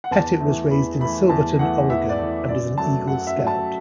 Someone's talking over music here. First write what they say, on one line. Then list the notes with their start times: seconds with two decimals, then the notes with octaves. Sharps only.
Pettit was raised in Silverton, Oregon, and is an Eagle Scout.
0.04 F#5
0.11 E2 A5
0.41 A3
0.46 E3
0.71 E2 B5
1.00 E3 A3 B5
1.29 E2 A5
1.59 E3 A3 F#5
1.90 E2 E5
2.09 D5
2.18 E3 A3
2.49 F#2 D5
2.78 F#3 A3 A5
3.07 F#2 F#5
3.27 E5
3.37 F#3 A3
3.47 A5